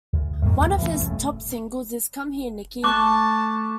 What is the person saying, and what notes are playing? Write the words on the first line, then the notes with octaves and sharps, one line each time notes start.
One of his top singles is "Come Here Nikki".
D2
F2 G#2 A3 A#3
A1 D2 D#3 A#3
E3 A3 C#4
D#1 E2 A3 C#4
A3 A5 C#6 D6 F#6